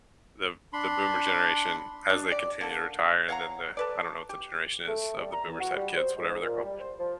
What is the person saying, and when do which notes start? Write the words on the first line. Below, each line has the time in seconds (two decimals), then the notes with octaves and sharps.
the the boomer generation, as they continue to retire and then the I don't know what the generation is of the boomers who have kids, whatever they're called,
0.73 D4 B5 C6
2.10 D4
2.31 G4 D5
2.61 D3 A#3 A4
3.29 C#5 F5 F#5 A#5
3.77 A4 B4 D5
4.29 G4
4.87 A3
5.17 G3
5.33 A#5
5.47 E2
5.60 F#4
5.76 G3
5.96 C5
6.16 G#2
6.40 A#2
6.64 G3
6.80 C5
6.99 F3